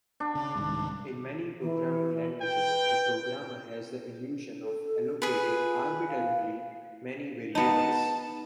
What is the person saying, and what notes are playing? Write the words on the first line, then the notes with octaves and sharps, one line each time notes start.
In many programming languages, the programmer has the illusion of allocating arbitrarily many variables.
D4
C#3
C2 G#2 D#3
E3
B4 G5
A4
G#4 B4
F4
F5
B3 D#4 A5